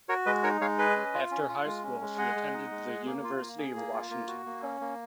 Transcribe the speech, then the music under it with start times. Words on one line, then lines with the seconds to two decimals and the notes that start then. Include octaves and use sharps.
After high school she attended the University of Washington.
0.09 F#4 A#4 C#5
0.26 G#3 B4 D#5
0.43 D#4 A#4 C#5
0.61 G#3 C#5 F5
0.78 G#4 B4 D#5
0.96 C#4
1.14 F4
1.31 C#4
1.49 F4
1.66 G#3
1.83 C#4
2.01 G#3
2.18 G#4 D#5 F#5
2.36 G#3
2.53 D#4
2.71 G#3
2.89 G#4
3.06 A#3
3.24 F4
3.40 A#3
3.58 G#4
3.76 A#3
3.93 F4
4.11 A#3
4.28 F#4
4.46 A#3
4.63 C#4
4.81 A#3